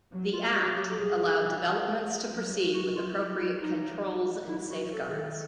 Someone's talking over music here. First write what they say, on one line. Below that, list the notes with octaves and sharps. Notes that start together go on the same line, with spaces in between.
The Act allowed developments to proceed with appropriate controls and safeguards.
F#3
F4
F#4
G4
A4
G3 G#4
G3
G#3
F#3
F#3 F#4
F4
E4
E4
D#4
F#3 E4
F#4
A4
D#3 G#4
A4